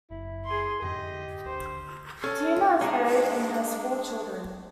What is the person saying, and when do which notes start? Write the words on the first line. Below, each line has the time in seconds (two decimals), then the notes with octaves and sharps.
Tina is married and has four children.
0.11 F#1 E4
0.45 G#4 C6
0.82 F2 G#2 D3 G4 D#5
1.46 D2 C5
2.24 C#4 A4
2.81 G#3 D4 D#4